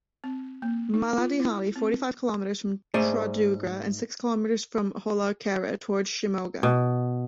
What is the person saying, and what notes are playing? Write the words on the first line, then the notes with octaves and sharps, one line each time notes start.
Malladihalli: Forty five kilometers from Chitradurga, and six kilometers from Holalkere, towards Shimoga.
C4
A#3
D#4
F4
E4
C4
G#2 A3 G#4 C5 D5 G#5
B2